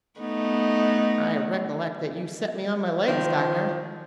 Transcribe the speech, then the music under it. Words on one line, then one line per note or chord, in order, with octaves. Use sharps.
"I recollect that you set me on my legs, doctor."
A3 B3 D#4
D#3 F3